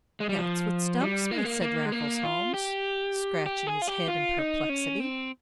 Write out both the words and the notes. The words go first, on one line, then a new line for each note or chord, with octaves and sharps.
"That's what stumps me," said Raffles Holmes, scratching his head in perplexity.
G#3
G3
F3
G3
A#3
G#3
A#3
A#3
G#3
A#3
F4
G4
G4
G#4
F4
G4
F4
D#4
C#4
C4